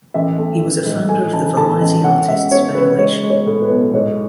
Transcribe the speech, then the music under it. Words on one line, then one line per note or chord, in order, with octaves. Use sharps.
He was a founder of the Variety Artists Federation.
A1 E5
A3
A1
G#2
A2 G#5
A1 A5
A2 A5
A1
C#4 F#5
G#3 E5
C#4 C#5
C#3 B4
G#3 C#5
G#3
C#5
A2
B4
B1
G#2 C#5